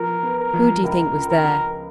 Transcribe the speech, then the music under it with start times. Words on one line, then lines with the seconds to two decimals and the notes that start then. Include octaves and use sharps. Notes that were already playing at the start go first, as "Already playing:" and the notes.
"Who do you think was there?"
Already playing: F3 B3 A#4
0.23 B3
0.38 A#4
0.53 F3
0.83 C#2 A#4
1.15 C#3
1.29 A#4
1.44 A#3